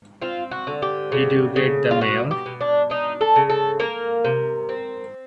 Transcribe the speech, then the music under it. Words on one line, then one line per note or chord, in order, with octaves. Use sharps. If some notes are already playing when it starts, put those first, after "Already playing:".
Did you get the Mayor?
C4 F4
F#4
D3
G4
C#3
C#3
F4
B2 F#4
G4
B2
D4
D4 D#4
A4
C#3
A4
A#3 A#4
C3
C4